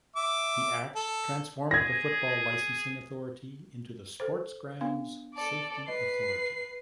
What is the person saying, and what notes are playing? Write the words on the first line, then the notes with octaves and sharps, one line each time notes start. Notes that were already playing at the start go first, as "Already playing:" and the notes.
The Act transformed the Football Licensing Authority into the Sports Grounds Safety Authority.
E5 D6
A4
G#4 G#6 A#6
A4 C5
B3 D4 F5
A4 D5
B4 D#5 C7